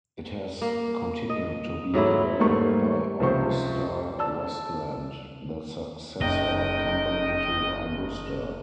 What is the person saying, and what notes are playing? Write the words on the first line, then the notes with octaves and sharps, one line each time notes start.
It has continued to be developed by AgustaWestland, the successor company to Agusta.
A#3
D#5
G#2 F#3 A3 E4
G#2 G3 A3 A#3 C#6
C#2 C3 F3 C5 C#6
D5 A5 E6
F#1 D#4 D#5 G5